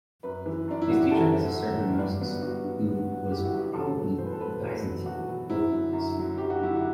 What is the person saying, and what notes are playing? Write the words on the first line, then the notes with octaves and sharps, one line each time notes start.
His teacher was a certain Moses, who was probably Byzantine orthodox.
F#2 B4
E3
F#2 D4
E4
E3 F#4
G4
F#2 A4
E3
F#2
E3
G2 D4
D3 F#3 B3
G2 F#4
D3 F#3
G2
D3 F#3
G2 G4
E4
F#4
D3 F#3
F#4
E2 A4
B2 F#3
E2 C5
B4
A4
B2 F#3 B4
E2
B2 F#3
E2 F#4
B2 F#3
F#2 E4
D3 F#3
F#2
D3 F#3
F#2 G4
F#4
D3 F#3 E4
F#4